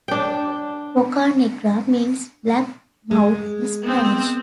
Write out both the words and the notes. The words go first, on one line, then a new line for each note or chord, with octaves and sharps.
"Boca negra" means "black mouth" in Spanish.
D4 G5
G#3
B3 C4